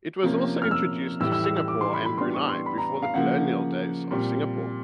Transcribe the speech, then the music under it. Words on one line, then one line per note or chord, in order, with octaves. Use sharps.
It was also introduced to Singapore and Brunei before the colonial days of Singapore.
C3 F3 A#3 C#4
F6
E6
A2 E3 G3 E6
E6
E6
E6
D6
C6
B5
B5
E3 G3 B3 D4 C6
C#6
C6
B5
A#5
F5
C#3 F3 A#3 F#5
A#2 G3 C4